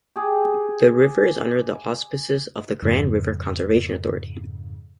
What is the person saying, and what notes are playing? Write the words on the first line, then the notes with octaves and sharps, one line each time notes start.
The river is under the auspices of the Grand River Conservation Authority.
G4 G#4
F2 G#2 C#3